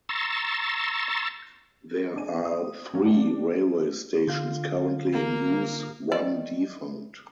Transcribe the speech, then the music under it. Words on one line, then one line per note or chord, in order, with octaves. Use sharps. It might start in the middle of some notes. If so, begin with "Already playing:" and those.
There are three railway stations currently in use, one defunct.
A#5 C6 C#6 E6 A6
D4 G#4 G#5 D#7
D#6
F#3 C#4 F4 F#4
B3 D4
D3 F4 F5
A#3
D#3 D5 E5